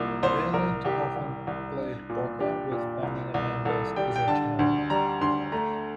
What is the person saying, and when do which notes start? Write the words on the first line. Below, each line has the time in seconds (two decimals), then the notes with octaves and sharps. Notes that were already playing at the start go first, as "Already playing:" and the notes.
Violette often played poker with family members as a child.
Already playing: C2 F3 A#3 A#4
0.23 C2 C5
0.53 C2 A#4
0.85 C2 G4
1.16 C2
1.47 C2
1.78 D4
2.09 A#2
2.40 D4 G4
2.71 A#2
3.03 C2
3.34 C2
3.65 C2 A4
3.96 G3 G5
4.16 G5
4.28 D3 A5
4.59 D2
4.90 G3 A#5
5.21 D2 C6
5.52 A3 A#5